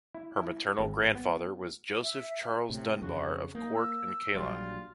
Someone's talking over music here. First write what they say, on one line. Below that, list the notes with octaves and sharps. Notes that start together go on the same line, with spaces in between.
Her maternal grandfather was Joseph Charles Dunbar of Cork and Ceylon.
E4
E4
G#1
B3
E5
A2 C3
F2 C#3 F#4
A#3 D#4
E6
A#1 F#3 G3 F4